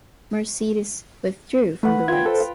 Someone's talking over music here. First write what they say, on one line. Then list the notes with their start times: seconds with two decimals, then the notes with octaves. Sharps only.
Mercedes withdrew from the race.
1.83 A3 B4 F#5
2.08 F4 G5 G#6
2.26 A4 C5
2.40 F5